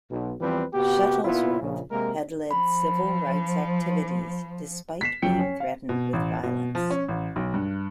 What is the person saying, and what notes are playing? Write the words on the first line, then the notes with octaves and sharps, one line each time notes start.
Shuttlesworth had led civil rights activities despite being threatened with violence.
B1
E2 E3 F3 G3 C4 B4
C3 B3 F#4 G4
A#2 B3 E4 F4
A#1 C#3
C3 G#3 A#3 A#4
F3 B5
B6 C7 E7
F#2 F3 F#3 G5 C#7
C#4
F5
B2
A1
B2
F3
C#4
A1
B1
G2